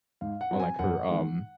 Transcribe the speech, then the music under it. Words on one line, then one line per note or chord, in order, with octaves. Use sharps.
on, like, her, um
G#2 F5
F#5
F#3 C4
G#5
F#2 F#5
D#3 G#3